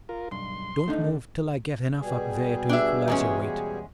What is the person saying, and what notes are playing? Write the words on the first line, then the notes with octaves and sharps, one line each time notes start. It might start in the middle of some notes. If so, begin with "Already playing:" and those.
Don't move till I get enough up there to equalize your weight.
F4 A#4
B1 G2 C6
A3 D4 D#4
D3
B2 G3 G#4
D4 E5
E2 G#3 C#4